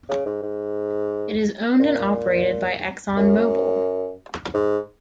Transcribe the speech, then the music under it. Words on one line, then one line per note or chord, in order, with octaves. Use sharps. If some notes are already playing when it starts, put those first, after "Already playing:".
It is owned and operated by ExxonMobil.
C#3
G#2
G#2
A#2
F#2
G#2